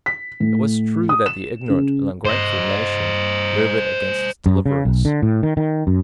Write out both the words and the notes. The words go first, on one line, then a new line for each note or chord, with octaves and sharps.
It was true that the ignorant and ungrateful nation murmured against its deliverers.
B6
A2
D#6
E7
C#3
C5 D#5
F#2
C#3
B1
D3
A2
D#3
D#3
F#2